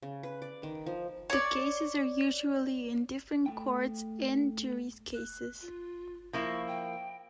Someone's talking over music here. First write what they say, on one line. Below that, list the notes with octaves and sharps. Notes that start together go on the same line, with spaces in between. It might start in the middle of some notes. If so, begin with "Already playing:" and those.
The cases are usually in different courts, and juriescases.
C#3
B4
D5
D#3
F3
C#5 D5
A3 G5
F#6
F4
F3 A#3 E4 C#6
G5